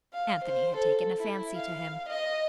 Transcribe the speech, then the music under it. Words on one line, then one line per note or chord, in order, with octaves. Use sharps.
Anthony had taken a fancy to him.
F5
C5
A4
E4
F5
D#5